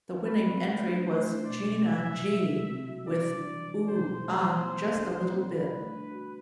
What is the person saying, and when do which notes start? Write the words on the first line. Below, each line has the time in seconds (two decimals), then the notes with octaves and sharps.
The winning entry was Gina G with "Ooh Aah... Just a Little Bit".
0.25 F#3 B4
0.45 C4
0.65 A3 B4
0.85 D4
1.06 A3 C5
1.26 D4
1.45 B2 D5
1.65 F#3
1.86 C3 E5
2.06 F#3
2.27 C3
2.47 F#3
2.67 C4
2.87 F#4
3.07 G3 D5
3.27 D4
3.47 E3
3.67 G3
3.88 B2 C5
4.08 A3
4.28 E3 C5
4.48 B3
4.69 A3
4.88 D4
5.09 G3
5.29 C4
5.50 D3 B4
5.70 A3
5.89 D4
6.10 F#4